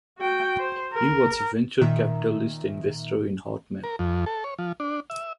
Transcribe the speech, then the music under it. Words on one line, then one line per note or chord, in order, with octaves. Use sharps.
He was a venture capitalist investor in Hotmail.
F#4 G5
C5
A#4
A#2 D#3 E5 A#5
A#4
F2
A4
C#5
F3
D4
E5